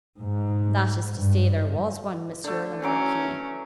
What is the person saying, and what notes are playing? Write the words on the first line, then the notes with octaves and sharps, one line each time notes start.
"That is to say there was one, Monsieur le Marquis."
G#2
G2
D3 A3
E3 F#3 C#4 D6